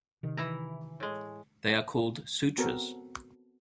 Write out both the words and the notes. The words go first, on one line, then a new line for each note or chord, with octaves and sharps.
They are called sutras.
C3 D#3
E3 E4 A#5
A2 G#3
B3 C4 F#4 A4 A#4